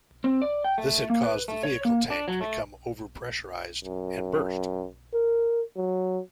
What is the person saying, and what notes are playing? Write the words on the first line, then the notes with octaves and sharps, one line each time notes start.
This had caused the vehicle tank to become over-pressurized and burst.
C4
D5
G5
A3
A#3
B4
A3
C#5
A#3
D4
F#3
A3
F#2
A#4
F#3